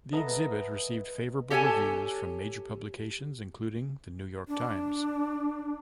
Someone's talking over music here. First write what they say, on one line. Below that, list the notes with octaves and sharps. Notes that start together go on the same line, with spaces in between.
The exhibit received favourable reviews from major publications including "The New York Times".
A4 B4 D#5 E5 F#5 A#5
G4 A4 C#5 F#5 G#5 A5
D4